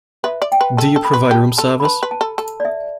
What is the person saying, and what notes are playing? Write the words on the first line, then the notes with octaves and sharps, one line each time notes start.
Do you provide room service?
B4 E5
D5
G5
B4
A4 A5
A4
B5
B4
G4 A5
A4 A5
B5
B4 A5
B4
A5
A4
A4 A5
D5
E5